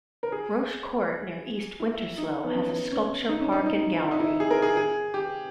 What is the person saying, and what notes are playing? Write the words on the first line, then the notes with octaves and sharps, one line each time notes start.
Roche Court near East Winterslow has a sculpture park and gallery.
A#4
G#4
E4
D#4
B3
C#4
C#4
D#4
C#4
D#4
D#4
E4
D#4
E4
G#4
A#4
G#4
G#4
G4